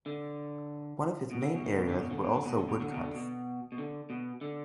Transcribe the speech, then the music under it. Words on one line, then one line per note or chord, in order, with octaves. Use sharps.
One of his main areas were also woodcuts.
D3
B2
D3
B2
D3
B2
D3
B2
D3
B2
D3
B2
D3
B2
D3
B2
D3
B2
B2
D3
B2
D3